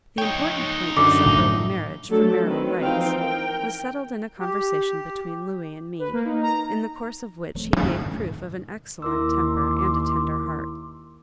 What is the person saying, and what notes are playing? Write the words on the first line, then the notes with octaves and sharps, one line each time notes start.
The important point of separating marriage from marital rights was settled in a conversation between Louis and me, in the course of which he gave proof of an excellent temper and a tender heart.
D#4 C#5 G5
F#2 D3 D6
A2 F#3
F#3 A3 D4 A4
D#3 F#3 C4 B4
E3 F3 C4 D#4 F5 G5
A#4 G5
G4
B4
A#3
D#4
A#5
D#1 F#3 A3 C4
F2 F#3
D#2
F#2 D3 A3 C#4
B1 G#2 D3
D#3
D#2 E4 A#4 C6 D6 E6